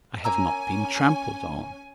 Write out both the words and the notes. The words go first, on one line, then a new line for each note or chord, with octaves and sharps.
I have not been trampled on.
A#3 C#4 G#5 A#5 E6